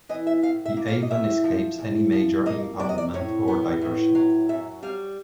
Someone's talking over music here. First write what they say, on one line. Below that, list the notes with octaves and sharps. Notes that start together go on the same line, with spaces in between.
The Avon escapes any major impoundment or diversion.
E3 D#5
E5
A2 F5
E5
A#3
F5
D#5
A2 E5
F3
E2
F3
A#3 D#5
C3 D5
D#5
D5
A2 C#5
B3
A2
F#3
F#2 E5
G3 F5